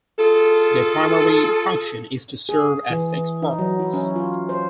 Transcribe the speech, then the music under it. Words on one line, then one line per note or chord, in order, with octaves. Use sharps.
Their primary function is to serve as sex partners.
F4 G#4 A4
G#4
E3
D#4
F#3
E4
C#4
F4
C5